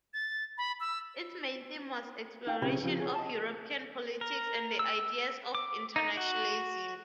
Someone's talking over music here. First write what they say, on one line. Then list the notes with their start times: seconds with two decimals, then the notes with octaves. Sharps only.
Its main theme was exploration of European politics and the ideas of internationalism.
0.14 A6
0.58 B5
0.80 E6
2.47 D#4 F5 G5
2.62 B1 C#3 C4 E4 G4 B5
2.83 C#3 F3 C4 G4
3.00 G#4 C#5
3.15 D#5 A5
4.21 A#4
4.79 E6
5.55 D6
5.96 D#4
6.17 F#4